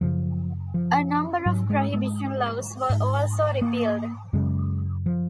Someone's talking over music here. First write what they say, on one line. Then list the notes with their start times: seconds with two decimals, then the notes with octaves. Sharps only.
A number of prohibition laws were also repealed.
0.01 F#2 C#3 F3
0.74 F3
1.46 G#2 F#3
1.70 G#3
1.94 G#3
2.90 G#2
3.62 A#3
4.33 F#2 C#3 G#3
5.06 F3